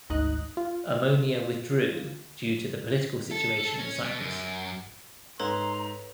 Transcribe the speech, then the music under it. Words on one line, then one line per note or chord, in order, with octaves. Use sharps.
Omonia withdrew due to the political situation in Cyprus.
G#1 D2 D#4 D#5 F#6
F4
A4
C#4
B2
F#2
G#2 A4 B4 C#5 A#5 C6